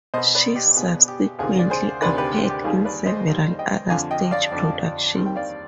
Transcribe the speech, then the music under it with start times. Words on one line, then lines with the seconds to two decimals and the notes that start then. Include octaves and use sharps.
She subsequently appeared in several other stage productions.
0.14 B2 C5 D#5
0.17 B3
0.35 B4 D5
0.56 G4
0.76 B2 B3 F4 G#4
1.08 G4
1.39 D2 C3 D#3 F4 G#4
1.59 D5
1.70 G#4 C5
2.01 D2 C3 D#3 B4 D5
2.18 G4 B4
2.33 G4
2.49 G4
2.64 D#2 D#3 G3 F4 G#4
2.85 B4 D5
3.06 C5 D#5
3.28 D#2 D#3 G3
3.59 D#5 G5
3.89 F2 D3 F3 F5 G#5
4.11 D#5 G5
4.31 D5 F5
4.52 F2 D3 F3
5.16 D#2 D#3 G3 C4
5.26 G5
5.36 D5 F5